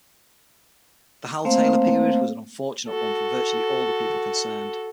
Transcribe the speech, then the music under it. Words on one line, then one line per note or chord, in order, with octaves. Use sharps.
The Hal Taylor period was an unfortunate one for virtually all the people concerned.
A3 A#3 C4 C5 F5
F#4 A4